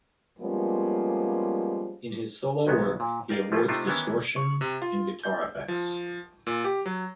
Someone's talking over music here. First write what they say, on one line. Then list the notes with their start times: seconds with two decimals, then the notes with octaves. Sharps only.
In his solo work, he avoids distortion and guitar effects.
0.41 F3 G3 G#3 A#3 B3 C#4
2.67 B1 D#3 G#3 B3
3.00 A#2
3.29 G4 A#4 D5 D#5 F5
3.52 F3 A3 C#4 F4
3.68 C3 A3 D4 D#4 F4 C5
3.87 D#3 E3 B3 C#4 D4 E4
4.36 C#6
4.61 C3
4.82 F4
5.23 G6
5.68 F3
6.47 A#2
6.64 G4
6.86 F#3